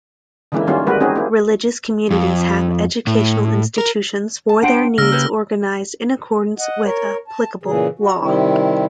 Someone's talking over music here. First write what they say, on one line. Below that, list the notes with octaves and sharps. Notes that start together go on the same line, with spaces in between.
Religious communities have educational institutions for their needs organized in accordance with applicable law.
D3 E3 G#3 A#3 C#4 E4
D#3 G3 A#3 C#4 F4 F#4
G3 G#3 A#3 F#4 A#4 B4
C4 C#4 D#4 F#4 G#4
A#3 E4
F2
A2
A#4
A5
D4 C5 F#5 G5
C#3 A#3 E6 F6 A#6
G4 B4 C#5
D#5 F#5
A#4 C#5
A5
A#2 C#3 E3 G#4
F#4
C3 D#3 G3 C4 E4